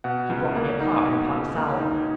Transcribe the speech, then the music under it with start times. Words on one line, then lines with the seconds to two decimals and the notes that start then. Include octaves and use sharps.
He brought me a card upon a salver.
0.04 B2 F#5
0.30 C#2
0.55 A#3
0.81 D#4
1.05 B2
1.30 C#2
1.55 A#3
1.80 D#4